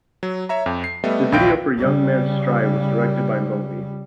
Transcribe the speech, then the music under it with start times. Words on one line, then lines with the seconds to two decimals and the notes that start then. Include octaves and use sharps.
The video for "Young Man's Stride" was directed by Moby.
0.23 F#3
0.49 C#5 E5 A#5
0.66 F2
0.84 C7
1.04 G3 A3 B3 D#5 E5
1.32 A#1 D#2 F5 G5 G6 D7
1.77 C#3 G3